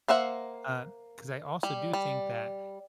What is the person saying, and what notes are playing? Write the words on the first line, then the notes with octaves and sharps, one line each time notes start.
uh 'cause I also do think that
A#3 C5 E5 F#5
G3
G3